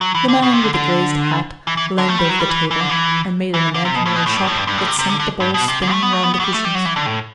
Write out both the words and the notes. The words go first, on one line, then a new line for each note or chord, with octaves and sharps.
The man with the glazed hat leaned over the table and made an imaginary shot that sent the ball spinning round the cushions.
F#3
E3
D3
B2
C3
D3
D3
E3
E3
D3
A3
G3
F#3
G3
E3
E3
D3
E3
E3
D3
C3
B2
A2
B2
A2
G2
A2
G2
G2
A2
C3
C3
D3
D3
G2
B2
C3
D3
A3
B3
A3
B3
B3
F#3
G3
A3
G3
F#3
E3
D3
A2